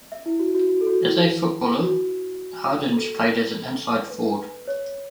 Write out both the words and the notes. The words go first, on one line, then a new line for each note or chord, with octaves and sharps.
As a footballer, Hardinge played as an inside forward.
E5
E4
F#4
F#4
F#4
A4
F#4
E4
F#4
A4
B4
C#5